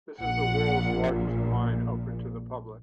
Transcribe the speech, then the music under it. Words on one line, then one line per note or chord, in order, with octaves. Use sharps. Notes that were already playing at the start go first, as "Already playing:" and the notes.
This is the world's largest mine open to the public.
A#1 A#2 F#5